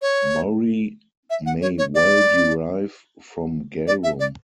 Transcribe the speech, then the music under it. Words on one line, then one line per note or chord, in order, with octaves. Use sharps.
Murri may well derive from garum.
C#5
E5
F#5
C#5
C#5
D5
D5
E5
D5